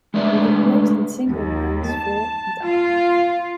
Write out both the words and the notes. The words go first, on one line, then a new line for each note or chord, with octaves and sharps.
They were placed in single mounts fore and aft.
G#3 A3 D4 B4 D5 E5
D#2
A5
F4